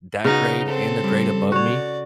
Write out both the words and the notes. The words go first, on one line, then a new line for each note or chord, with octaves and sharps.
that grade and the grade above me,
C#3 B3 D#4 F#4
C4 A4
G3
F#4 C#5 D5